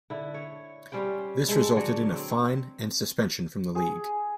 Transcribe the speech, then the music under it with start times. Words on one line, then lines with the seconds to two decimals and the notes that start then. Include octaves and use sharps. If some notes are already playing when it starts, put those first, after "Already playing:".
This resulted in a fine and suspension from the league.
0.10 D3 E4
0.34 C#5
0.92 G3 C#4 C5 G5
1.48 G#3 C4 A4
1.75 D3 F#3 C#5 D5
2.15 C4
3.75 G#4